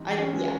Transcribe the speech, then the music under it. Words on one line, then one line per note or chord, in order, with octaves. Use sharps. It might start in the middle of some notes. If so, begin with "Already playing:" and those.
I n Yeah.
Already playing: E3 G3 C4 D#4
C#4
G#3